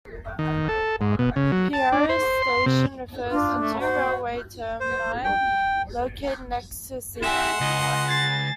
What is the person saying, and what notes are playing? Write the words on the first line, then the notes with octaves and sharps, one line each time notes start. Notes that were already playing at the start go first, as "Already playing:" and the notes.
Piraeus station refers to the two railway termini located next to the seaport.
D#3
A4
G#2
B2
C#3
F#3
A5
D4
C5
C6
C3
D4 F4
A3
F#4 C5
C5
G5
E4 G4 E5 F#5 G#5 C6 E7
C#2 D#5
G#6 A6 C7